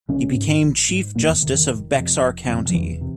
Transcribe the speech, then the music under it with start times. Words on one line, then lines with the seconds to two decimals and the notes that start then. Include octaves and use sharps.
He became Chief Justice of Bexar County.
0.08 A#1 C#3 C#4
0.35 G#2
0.62 A#1
0.89 G#2
1.15 F1 A#2 A#3
1.28 E2 E3
1.42 C3 D#3
1.46 F2
1.55 D#3
1.68 F1
1.94 F2 C3
2.21 F1
2.48 F2 C3
2.69 F3
2.74 F1 E2 E3
3.01 C3